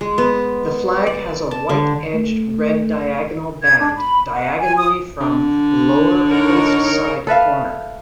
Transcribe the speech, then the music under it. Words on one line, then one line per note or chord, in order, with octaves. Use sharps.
The flag has a white-edged red diagonal band diagonally from the lower hoist-side corner.
G#3
B3
D5
A5
D3
A3
G#6
D4
B5
F#5
G#5
D#6
D3
D#4 A#4 C#5
A4 B4 E5 F5